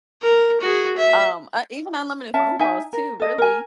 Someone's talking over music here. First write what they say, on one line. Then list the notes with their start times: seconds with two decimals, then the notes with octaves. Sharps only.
um, uh, even unlimited phone calls too, really,
0.22 A#4
0.61 F#4 G#4
0.97 E5
2.34 C#4 E5 A5
2.59 D#4 E5 G#5
2.93 A#4
3.20 A4 D#5
3.38 A#4 G#5